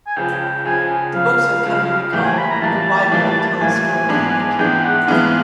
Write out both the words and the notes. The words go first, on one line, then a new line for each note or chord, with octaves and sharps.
The books have come to be called "the bible of telescope making".
G#5
C#2 C#3 F3 G5
C#2 C#3 F3 G#5
C#2 C#3 F3 F5
C#2 C#3 F3
A2 E3 G3 A#3 G5
G#5
B5
A#5
A2 E3 G3 A#3 A5
A2 E3 G3 A#3
A2 E3 G3 A#3 G#5
G#2 E3 G#3 B3 D4
G#2 E3 G#3 B3 D4 G5
F#5
G#2 E3 G#3 B3 D4 F5